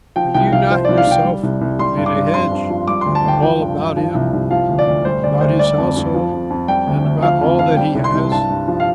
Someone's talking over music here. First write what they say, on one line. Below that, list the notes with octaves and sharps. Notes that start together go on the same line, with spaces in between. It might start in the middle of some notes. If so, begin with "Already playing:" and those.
Have you not yourself made a hedge all about him, about his household, and about all that he has?
F3 G5
C2 G5
C2 F5
F3 C5
C2 D5
F5
C2 G5
G3
C2
C2
G3 C6
G2
D6
G2
F2 C6
F2
F3
G3 D6
D2 C6
A5
D2 G5
F3 G5
G2
G2
F3
C2
C2
F3 F5
D2
D5
D2
G3 C5
D2 D5
D2 C5
G3 D5
F2
F2
F3
F2
F2
G3 G5
D2
D2
F3 F5
F2 F5
F2 F5
G3 G5
C2
C6
C2
G2 A5
G2
F3
F5